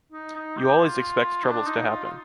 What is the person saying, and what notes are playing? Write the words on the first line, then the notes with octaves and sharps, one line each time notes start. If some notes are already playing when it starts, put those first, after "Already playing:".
You always expect troubles to happen.
D#4
D#4
G4
F4
D4
D#4
F4
F4